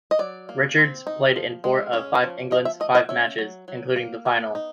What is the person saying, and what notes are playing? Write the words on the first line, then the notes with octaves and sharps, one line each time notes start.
Richards played in four of England's five matches, including the final.
D#5
F#3 D5
A#3
C4
D#4
F3
G#3
C#4
F3
F3 D#5
E5
A3 D#5
D#5
C#4 E5
F#3
F#3
A#3
B3
D#4